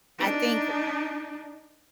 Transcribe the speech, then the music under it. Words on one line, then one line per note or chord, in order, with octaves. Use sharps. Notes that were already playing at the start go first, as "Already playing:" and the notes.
I think
D4 D#4